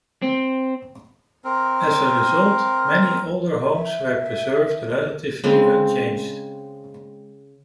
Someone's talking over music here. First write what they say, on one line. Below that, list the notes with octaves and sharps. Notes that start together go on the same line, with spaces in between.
As a result, many older homes were preserved relatively unchanged.
C4
C4 A#4
E5
C#3 G#3 C4